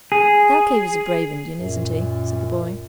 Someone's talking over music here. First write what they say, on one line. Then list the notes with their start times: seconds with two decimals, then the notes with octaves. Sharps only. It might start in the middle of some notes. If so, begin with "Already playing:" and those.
"Thalcave is a brave Indian, isn't he?" said the boy.
0.12 G#4
1.58 F#2 A#2